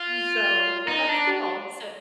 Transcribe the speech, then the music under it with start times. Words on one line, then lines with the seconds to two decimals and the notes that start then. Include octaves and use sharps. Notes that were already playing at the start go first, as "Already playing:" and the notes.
So well, that's cool. So,
Already playing: F4
0.88 D#4
1.09 D4